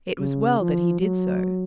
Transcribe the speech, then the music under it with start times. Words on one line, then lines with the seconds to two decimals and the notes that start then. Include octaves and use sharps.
It was well that he did so.
0.20 C#3
0.61 F3
1.01 F#3